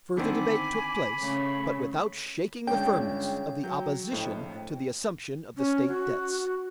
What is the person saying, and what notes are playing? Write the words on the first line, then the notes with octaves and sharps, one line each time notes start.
Further debate took place, but without shaking the firmness of the opposition to the assumption of the state debts.
D3 D#3 C4 G#5 B5 D6
C#3 A3
G1 C#3 G#3 D4 G5
F#3 G6
A#1 F2 A2
C#4
F#4